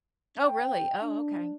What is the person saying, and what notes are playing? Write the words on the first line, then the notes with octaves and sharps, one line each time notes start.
Oh, really? Oh, okay.
G5
D4